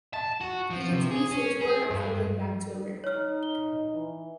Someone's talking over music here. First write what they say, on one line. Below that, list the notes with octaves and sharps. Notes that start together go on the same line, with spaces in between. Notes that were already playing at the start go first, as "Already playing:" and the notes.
He continued to tour after going back to America.
A5
F#4
F3
C3
G#4
C#4
G#4
G2
D#4 C#5 F6
G7
E3